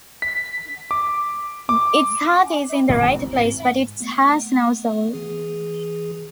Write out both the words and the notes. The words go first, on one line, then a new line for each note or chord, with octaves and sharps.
Its heart is in the right place, but it has no soul.
B6
D6
D6
A1 G#2 E3 C4
A3 B3
E3 G#4